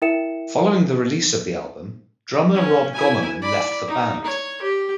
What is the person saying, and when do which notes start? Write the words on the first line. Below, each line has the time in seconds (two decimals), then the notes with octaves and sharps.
Following the release of the album, drummer Rob Gommerman left the band.
0.02 E4 A#4 E5 G5 C#7 E7
2.55 C#4
2.94 E4 G#5
3.42 D5 B5
3.88 D#4
4.24 C#5
4.62 G4